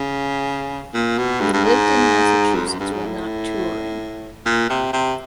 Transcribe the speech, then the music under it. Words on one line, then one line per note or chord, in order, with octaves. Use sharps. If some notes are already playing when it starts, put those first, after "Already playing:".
He lived in Massachusetts when not touring.
Already playing: C#3
A#2
B2
G2
G2
G#2
F2
F#2
G2
G#2
A2
A#2
C3
C3